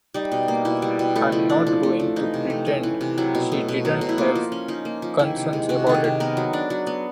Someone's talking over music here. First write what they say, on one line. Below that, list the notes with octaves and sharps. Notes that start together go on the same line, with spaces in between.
I'm not going to pretend she didn't have concerns about it.
G3 D#4
B2
A#3
B2 E4
G3
B2
A3 E4
F3
D4
F3
A3
F3
E3 D#4
C3
A3
C#4
E3
C3
F#3 E4
B2
A3
B2
F#3
B2
E4
A#3 F4
F3
C#4
F3 D#4
A#3
F3
D#3 E4
C3
G#3
C3 F#4
D#3 A4
G#4
C3
B3 A#4
F#3
D4
F#3
B3